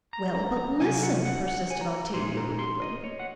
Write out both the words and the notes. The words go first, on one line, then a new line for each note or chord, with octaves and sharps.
"Well, but listen," persisted Octavia wickedly.
A#5
A#5
A#5
C#2 C3 F#3 G#5
F5
F#5
F#5
F#5
G#5
A#5
A#2 G#3 D#4 C6
A#5
C6
D#5
C#5
F#5